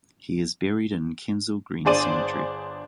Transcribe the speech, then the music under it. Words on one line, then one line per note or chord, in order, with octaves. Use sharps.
He is buried in Kensal Green Cemetery.
G1 D4 G#4 C5 D5 D#7